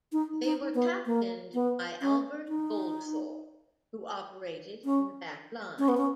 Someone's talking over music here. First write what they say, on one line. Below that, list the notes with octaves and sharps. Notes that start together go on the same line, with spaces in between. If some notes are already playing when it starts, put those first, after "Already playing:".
They were captained by Albert Goldthorpe, who operated in the back line.
D#4
D#4
B3
A#3
B3
C#4
D#4
C#4
C#4
B3
C#4